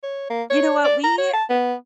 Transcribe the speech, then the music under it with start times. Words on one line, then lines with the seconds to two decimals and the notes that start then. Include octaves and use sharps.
You know what? We,
0.03 C#5
0.30 A#3
0.50 C#5
0.84 D5
1.04 A#5
1.18 C#5
1.33 A5
1.49 B3